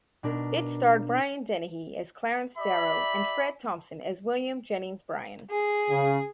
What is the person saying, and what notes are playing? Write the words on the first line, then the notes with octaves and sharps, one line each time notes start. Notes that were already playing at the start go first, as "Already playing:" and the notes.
It starred Brian Dennehy as Clarence Darrow and Fred Thompson as William Jennings Bryan.
B2 D4 A#4
G4 D5 E5 B5
G#4
C#3